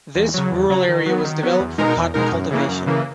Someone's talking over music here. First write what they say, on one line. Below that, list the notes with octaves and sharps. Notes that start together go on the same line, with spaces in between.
This rural area was developed for cotton cultivation.
E2
C#3 F#3
E2
C#3 F#3
D#3
F#3 B3
D#3
F#3 B3
E2
B2 G#3 D#4 A#4
E2
B2 G#3 D#4 A#4
F#2
C#3 E3 A#3
F#2
C#3 E3 A#3